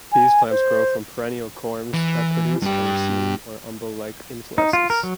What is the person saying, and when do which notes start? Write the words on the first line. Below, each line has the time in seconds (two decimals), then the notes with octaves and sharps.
These plants grow from perennial corms that produce a raceme or umbel-like inflorescence.
0.12 G#5
0.50 C5
1.93 E3
2.62 G2 G4
4.58 D#4
4.73 F4
4.90 A#4
5.03 F#3